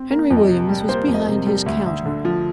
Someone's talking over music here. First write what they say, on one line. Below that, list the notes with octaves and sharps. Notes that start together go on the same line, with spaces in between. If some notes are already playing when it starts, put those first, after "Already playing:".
Henry Williams was behind his counter.
Already playing: C4
A#3 A#4
F2
D#5
C3
G3
A#3 C5
F2
D#5
C3
G3
D2
D2
D3
F3